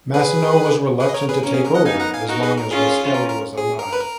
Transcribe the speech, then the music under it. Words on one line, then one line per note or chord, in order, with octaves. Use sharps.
Massino was reluctant to take over as long as Rastelli was alive.
G#4 B4
G#4 B4
D#5
A#4 C#5
G#4 B4
A#3 C#4 A#4
G#4
A#4
D#5 F#5
B3 D#4 F5 G#5
F#5 A#5
F5 G#5
D#4 F#4 A#4
G#4 B4
A#4
C#4 F4 G#4
A#4
A#4
G#4
A#4
B4
A#4